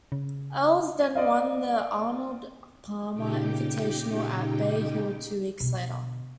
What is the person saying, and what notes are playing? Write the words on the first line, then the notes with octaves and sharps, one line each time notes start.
Els then won the Arnold Palmer Invitational at Bay Hill two weeks later.
C#3
D5 D#5 F5
A#2 C#3 D#4 G4 G5 D6
B2 D3